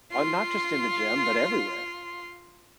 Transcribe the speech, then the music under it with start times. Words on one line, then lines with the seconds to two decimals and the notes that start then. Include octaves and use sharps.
Oh, not just in the gym, but everywhere.
0.12 F4 C6